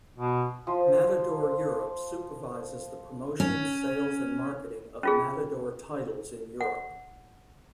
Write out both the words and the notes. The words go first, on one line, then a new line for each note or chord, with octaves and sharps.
Matador Europe supervises the promotion, sales and marketing of Matador titles in Europe.
B2
F3 C5 D#6
C#4
C#4 F4 G#4
F#5